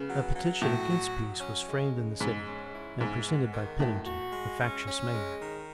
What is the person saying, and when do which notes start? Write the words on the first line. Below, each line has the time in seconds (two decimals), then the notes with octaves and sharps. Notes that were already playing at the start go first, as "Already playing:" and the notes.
A petition against peace was framed in the city, and presented by Pennington, the factious mayor.
Already playing: C#3 B3
0.09 F#3
0.35 F#3
0.62 A2 F#4
0.88 F#3
1.15 F#3
1.41 C#4
1.67 G#3
1.95 C#3
2.20 G#2 G#3
2.47 C#4
2.74 E4
3.00 G#2 G#3
3.27 B3
3.53 D#3
3.79 A2 F#4
4.06 F#4
4.33 G#3
4.60 C#4
4.87 C#4
5.13 G#3
5.39 D#3